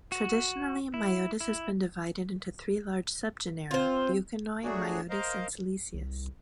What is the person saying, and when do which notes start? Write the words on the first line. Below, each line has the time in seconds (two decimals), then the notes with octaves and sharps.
Traditionally, "Myotis" has been divided into three large subgenera-"Leuconoe", "Myotis", and "Selysius".
0.12 F#4
0.94 E4
1.40 E4
3.71 C4 F4 C5
4.63 F#3 A3 D4 F#4 G#4
5.10 A#4 C5 D#5 F5 A#5
5.94 C2